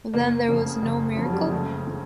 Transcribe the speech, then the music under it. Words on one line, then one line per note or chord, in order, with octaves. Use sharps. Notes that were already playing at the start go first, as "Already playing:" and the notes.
Then there was no miracle?
F#1 A#3
F2 C#3
F#1
F2 C#3 F3
F#3
G3
G#3
F#1 A3
C#3